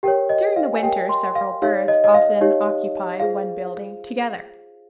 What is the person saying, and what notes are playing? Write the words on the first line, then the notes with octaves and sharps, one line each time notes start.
During the winter several birds often occupy one building together.
G4 A#4 C#5 G5
D#5
F5
G#5
G4 A#4 C#5 G5
C6
F5
D#4 G4 C#5 F5
D#5
D#5
F5
D#4 G4 C#5
F4 G#4 C5 F5